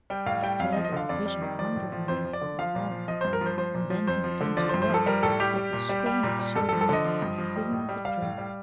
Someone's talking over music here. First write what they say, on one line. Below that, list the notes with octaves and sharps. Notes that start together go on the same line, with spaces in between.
He stared at the vision wonderingly and long, and then he began to laugh with the scorn of soberness and the silliness of drink.
G3 G5
A2 F5
G3 G5
F2 F5
D#5
F3
D#5
D3 F5
F2 D5
G3
D#3
F3 D5
A2
F3
F2 C5
F3
D5
D3
F3 F5
A#2
F3
F3 D#5
G2 C5
A#4
F3 C5
F3 C5
A#2
F3
F2 C5
F3
D3
F3 D5
C5
G2
C5
F3 A4
G3 A#4
A2 A4
G3 G4
G3
A#2
G3
G3
A#2
G3
G2 A4
A4
F3
A4
D3 D#5
F3
G2
F3
G3
A2
G3
G3 F5
A2
G3